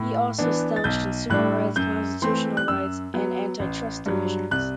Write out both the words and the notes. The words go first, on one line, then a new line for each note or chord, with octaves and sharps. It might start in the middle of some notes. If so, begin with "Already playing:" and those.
He also established Consumer Rights, Constitutional Rights, and Antitrust divisions.
Already playing: A2
E3 B3 D4
A6
B1 G6
A2 G3 D4 F#6
F#2 G6
E3 A3 C4 C6
F#6
F#2 E6
F#3 B3
A1
G2 F#3
C2 F#6